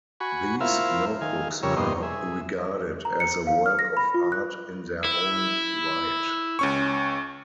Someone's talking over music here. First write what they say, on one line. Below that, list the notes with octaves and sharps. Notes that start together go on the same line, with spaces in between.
These notebooks are regarded as a work of art in their own right.
F#4 G#5 B5 C#6
E4 F4 A#4 C5 E5 F5
D#3 F5 G#5
F2 C#3 G3 A#4 C#5 E6
G2 B2 A#3 D#4 C6
G#4 E5
A#5
C#7
F5
F6
A#6
B5
F4
F#6
E4
C#2 C#4 C#6